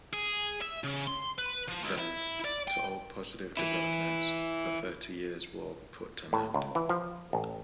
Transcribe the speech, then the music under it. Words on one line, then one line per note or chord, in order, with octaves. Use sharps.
Then, to all positive developments the Thirty Years' War put an end.
G#4
E5
C#3
C6
B4
F3
C#2
E4
D5
G5
E3 E4
A2
C#2
E3
F3
A1